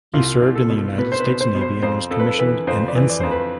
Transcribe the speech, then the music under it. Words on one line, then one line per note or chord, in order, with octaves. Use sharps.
He served in the United States Navy and was commissioned an ensign.
C2 F4
C2
A4
B2
B2 B4
C5
B4
B2
C5
B2
C5
F2 C5
F2 A4
B4
A4
E3 B4
F2 C5
D5
E3
D5
F2 C5
B4